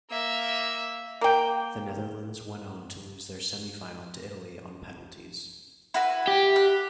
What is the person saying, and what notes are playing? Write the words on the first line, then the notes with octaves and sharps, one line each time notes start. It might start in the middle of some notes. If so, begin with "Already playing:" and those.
The Netherlands went on to lose their semi-final to Italy on penalties.
A#3 E5
A#3 G5
E4 F#4 B4
G4
F#6